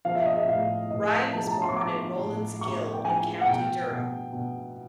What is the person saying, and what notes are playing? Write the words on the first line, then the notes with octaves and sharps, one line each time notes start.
Ryan was born in Rowlands Gill in County Durham.
F3 F5
E5
D#5
E5
A2 F5
A2 D#5
F3 A5
A#5
A5
C6
C#6
F3 D6
A2
A2 C#6
G5
F3 G#5
F#5
B2 G5
B2
B2